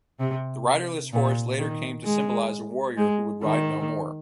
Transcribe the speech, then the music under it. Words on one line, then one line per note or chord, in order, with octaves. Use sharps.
The riderless horse later came to symbolize a warrior who would ride no more.
C3
A#2
D#3
G#3
G#3
D#3